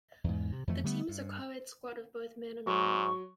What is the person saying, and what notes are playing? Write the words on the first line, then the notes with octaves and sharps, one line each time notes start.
The team is a coed squad of both men and women.
E2 G#2
C3
F2 E3 A3
D3 G3 A3 B3
G2
G#2 F#3 C#6